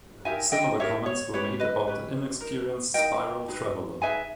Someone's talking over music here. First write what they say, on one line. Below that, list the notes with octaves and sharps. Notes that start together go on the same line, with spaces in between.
Similar comments were made about "The Inexperienced Spiral Traveller".
D#4 G4 A#4 E5 G#5
D#5 G5
D#4 G4 A#4 C#5 E5
C#5
C#4 G4 B4 C#5
B4 D#5
C#4 G4 B4
D#4 A#4
D#4 A#4 D#5 G5
D#4 G#4 B4
D#4 G#4 B4 E5 G#5